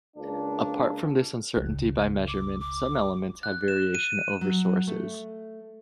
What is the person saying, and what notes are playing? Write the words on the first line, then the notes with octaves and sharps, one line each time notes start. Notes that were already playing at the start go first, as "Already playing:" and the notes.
Apart from this uncertainty by measurement, some elements have variation over sources.
C#2 A#3 D4
E1 C#2
D6
D6
F#6
E7
D#7
F#3
A3